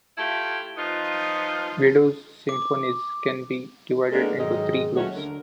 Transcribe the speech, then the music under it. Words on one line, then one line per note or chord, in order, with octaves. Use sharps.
Widor's symphonies can be divided into three groups.
A3 E4 F4 G4
F3 B3 D#4 F4
D6
G#3 A#3 B3 D4 D#4 A4
G#2 D#3 F#3 G#3 D#5
D#2 F#3 A3 C#4 F#4 C#5
D3 A#4